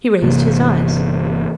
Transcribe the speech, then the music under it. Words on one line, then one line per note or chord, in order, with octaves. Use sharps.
He raised his eyes.
G1 C3 E3 A#3